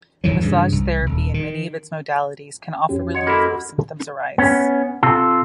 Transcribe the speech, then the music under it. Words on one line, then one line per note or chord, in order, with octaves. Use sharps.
Massage therapy, and many of its modalities, can offer relief if symptoms arise.
E2 D#3 E3 F#3
G2 C#3 E3
C2
D#1
D#3
F2 C#4 F#4 G4
C#5 D#5 F#5 C6
A#3 E4 F#4 A4 B5
B3 C#4
C3 F4 A4